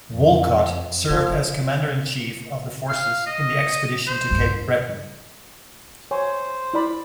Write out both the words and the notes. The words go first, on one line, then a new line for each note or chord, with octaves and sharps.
Wolcott served as Commander-in-Chief of the Forces in the Expedition to Cape Breton.
F2
F#1 F3
F5
D#5
C5
D2 G2
C5 C#5 G#5
E4 D5 B5